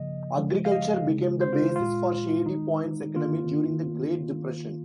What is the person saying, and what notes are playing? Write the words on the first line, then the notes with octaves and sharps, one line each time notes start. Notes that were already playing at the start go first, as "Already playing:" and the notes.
Agriculture became the basis for Shady Point's economy during the Great Depression.
Already playing: C#3 F3 A#3 D#5
C#3 F3 G#3
F5
D#5
C#3 G#3
C5
F4
A#2 G#3 F4
D#3 G#3 D#4
D#3 A#3 F4